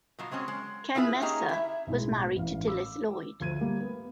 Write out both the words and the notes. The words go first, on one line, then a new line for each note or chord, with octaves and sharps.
Ken Messer was married to Dilys Lloyd.
B2 F#3 F4
F#3 G#3 C4 C#4
G#3
E4 F4 G#4 A#4 B4 E5
A#3 C#4 D#4 G4 G#4 A#5
E4 E5
B1 A2 G#3
A1 F5
D6 E6
D2 F3 G#6 D#7
G3 A#3
B3